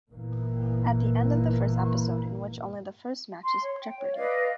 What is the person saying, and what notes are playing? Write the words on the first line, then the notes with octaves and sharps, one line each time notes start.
At the end of the first episode, in which only the first match's Jeopardy!
G1 A#2 E3 A#3
C6
C#5
G5
C#5
B4 D5 D#5 F5